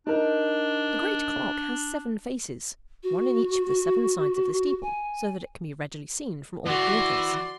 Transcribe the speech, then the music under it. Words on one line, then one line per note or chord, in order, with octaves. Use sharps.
The great clock has seven faces--one in each of the seven sides of the steeple--so that it can be readily seen from all quarters.
D4 D#4 A#4
F#4
G#5
E3 F#4 D5 C6